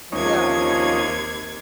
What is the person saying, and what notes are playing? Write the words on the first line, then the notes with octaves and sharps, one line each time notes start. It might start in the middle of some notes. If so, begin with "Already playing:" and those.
Yeah, yeah.
D#2 C3 F3 C#4 D#4 G#6